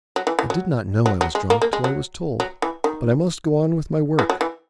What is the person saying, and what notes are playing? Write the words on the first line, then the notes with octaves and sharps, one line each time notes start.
I did not know I was drunk till I was told, but I must go on with my work.
F#3
E3
E3
F#3
F#3
F#3
G#3
A#3
A#3
G#3
F#3
F#3
E3
D#3
E3
F#3
E3